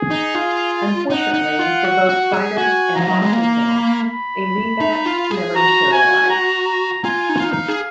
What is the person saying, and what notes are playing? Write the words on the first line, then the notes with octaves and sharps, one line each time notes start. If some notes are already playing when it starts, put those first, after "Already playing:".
Unfortunately for both fighters and boxing fans, a rematched never materialized.
Already playing: G#4
D#4
F4
D#4 F#5
D#4
F4
F#4
F#4
G#4
F#4 G#5
F3 A#5
F#3
G#3
A#3 A#5
B5
D#4
F4
G#4
F#4 A#5
G#5
A#5
A#5
F4 G#5
D#4
F4
D#4 F5
D#4
G#4